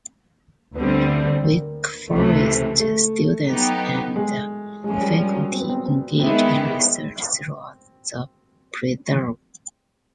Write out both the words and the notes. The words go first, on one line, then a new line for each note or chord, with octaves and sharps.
Wake Forest students and faculty engage in research throughout the preserve.
D2 D3 G3 B3 C4
A#3
C#2 C3 E3 A3
A3
F#3 B3 D#4 G4
G#3
F3 G#3 A#3 C#4
G3
G3
F#3
C4
B3
C4
C4
D#3 G#3 B3 C4 E4 G4